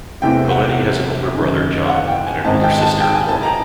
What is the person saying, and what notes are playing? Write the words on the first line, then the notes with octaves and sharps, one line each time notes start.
Colletti has an older brother John, and an older sister Lauren.
E2 C3 E3 A3 C4 G5
F#5
F#1 F#2 D#3
F5
F#5
G5
G#5
G#1 G#2 D#3 G#3 C4 A5
G5
A5
G5
G#5
A5
A#5